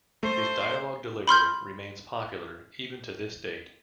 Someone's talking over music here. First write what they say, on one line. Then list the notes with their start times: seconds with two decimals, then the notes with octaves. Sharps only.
His dialogue delivery remains popular even to this date.
0.23 A3 C5
1.27 B5 C6 F6 G6